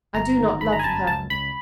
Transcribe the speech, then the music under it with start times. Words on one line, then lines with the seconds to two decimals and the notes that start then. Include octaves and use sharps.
I do not love her.
0.15 G1 A#5
0.37 D#3
0.61 G1 B5
0.73 A#5
0.79 G#5
0.84 F#2 A5
1.07 C#2 A5
1.30 C#2 B5